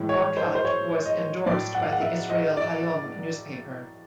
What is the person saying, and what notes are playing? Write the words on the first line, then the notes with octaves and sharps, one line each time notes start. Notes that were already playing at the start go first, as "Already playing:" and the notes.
Barkat was endorsed by the "Israel Hayom" newspaper.
Already playing: A2 E3 G#3
C#5
C5
C5
C#5
D#5
A2 F#3 D5
F#5
F5
F#5
E5
D#5
D5